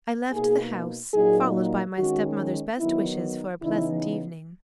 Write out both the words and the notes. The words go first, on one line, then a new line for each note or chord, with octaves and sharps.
I left the house, followed by my stepmother's best wishes for a pleasant evening.
B2 A#3 D#4 G#4
A#2 F#3 A#3 D#4 G#4
D#3 G#3 C#4 F#4
D#3 F#3 B3 D#4 E4
C#3 E3 B3 D#4 E4